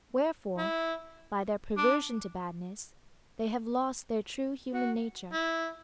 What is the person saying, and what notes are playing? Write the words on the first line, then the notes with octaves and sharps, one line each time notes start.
Wherefore, by their perversion to badness, they have lost their true human nature.
E4
D4
F#4
E4